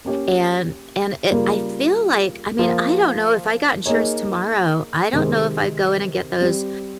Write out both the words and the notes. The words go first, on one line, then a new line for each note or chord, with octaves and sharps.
and and it I feel like I mean, I don't know if I got insurance tomorrow, I don't know if I'd go in and get those
A#3 C#4 G4 C#5
C#3 G3 A#3 F4 A#4
F3 A#3 F4 C5
A#3 D#4 G#4 C#5
C3 D#3 G#3 C4 G4
G3 C4 G4 C5